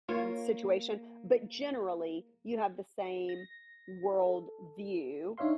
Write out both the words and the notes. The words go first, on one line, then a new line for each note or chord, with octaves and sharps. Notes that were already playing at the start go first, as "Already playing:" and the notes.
m situation, but generally you have the same world view.
A#3 F4 C#5
A#6
A4
D4 D#4 C#5 E5 F5 C6